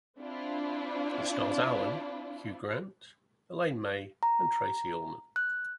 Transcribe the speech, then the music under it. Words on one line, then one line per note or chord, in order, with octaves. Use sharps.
It stars Allen, Hugh Grant, Elaine May and Tracey Ullman.
C4 D4 E4 F4
A#5
F#6